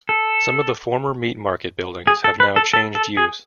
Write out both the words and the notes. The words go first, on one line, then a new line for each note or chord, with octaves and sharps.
Some of the former meat market buildings have now changed use.
A4
G#4
A4
B4
A4
A4
A4
G#4